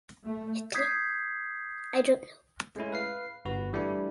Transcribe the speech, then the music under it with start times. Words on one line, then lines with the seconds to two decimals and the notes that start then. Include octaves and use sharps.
Hitler: I don't know.
0.25 A3
0.75 D#6 G6 G#6 B6 C7
2.76 G#3 A3 C#4 E4
2.92 B4 F5 C7
3.45 G1 F#4 B4
3.73 E3 G3 A3 D4 E4